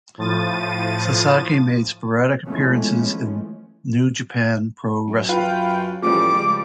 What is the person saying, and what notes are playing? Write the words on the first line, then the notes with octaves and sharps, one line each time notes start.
Sasaki made sporadic appearances in New Japan Pro Wrestling.
A2 F3 A6 D#7
E3 F3 G#3 A3 B3 C#4
F#2
F4 B4 F5 G5
A1 F3 G3 D6
C#2